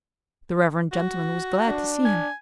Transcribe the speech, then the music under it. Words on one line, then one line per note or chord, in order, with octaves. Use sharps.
The reverend gentleman was glad to see him.
F#4
D4
G#5